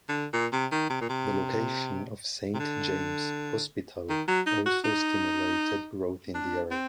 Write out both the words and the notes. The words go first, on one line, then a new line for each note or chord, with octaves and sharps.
The location of Saint James' Hospital also stimulated growth in the area.
D3
A#2
C3
D#3
C3
A#2
C3
C3
D3
D#3
F#3
D#4
F#4
D#4
D4
C4